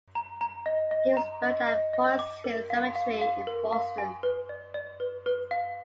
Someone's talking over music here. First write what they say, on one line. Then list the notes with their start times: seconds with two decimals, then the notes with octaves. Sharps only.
He was buried at Forest Hills Cemetery in Boston.
0.15 A#5
0.41 A#5
0.66 D#5
0.91 D#5
1.17 A#5
1.42 D#5
1.68 D#5
1.93 D#5
2.19 D6
2.44 A#4
2.70 F5
2.96 F5
3.21 F5
3.47 A#4
3.73 F5
3.98 G#5
4.23 B4
4.49 D5
4.74 D5
5.00 B4
5.26 B4
5.51 F5